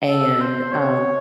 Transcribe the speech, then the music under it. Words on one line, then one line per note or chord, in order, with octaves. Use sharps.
and, um,
A4
C5
C#5